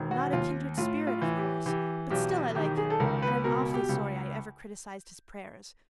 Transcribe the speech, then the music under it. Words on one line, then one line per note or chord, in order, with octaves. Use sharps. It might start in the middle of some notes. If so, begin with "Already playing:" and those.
Not a kindred spirit, of course; but still I like him and I'm awfully sorry I ever criticized his prayers.
Already playing: E1 D#3
F#4
D#2 F4
A2 F4
F4
E3
G4
E3 G4
B1 G4
D#3 G4
G#4
A4
C#2 A#4
B4
B2 A#4
G4
C#2